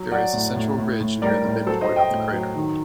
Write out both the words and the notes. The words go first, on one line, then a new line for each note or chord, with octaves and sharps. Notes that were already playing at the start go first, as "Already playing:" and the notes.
There is a central ridge near the midpoint of the crater.
Already playing: F#3
F#3 D5 F#5
A2
A2
A2
A2
G3 A#4 D5
A2
F#3 A4 C5
C5 D#5
F#3
D#5 G5
A2
F#3
D#3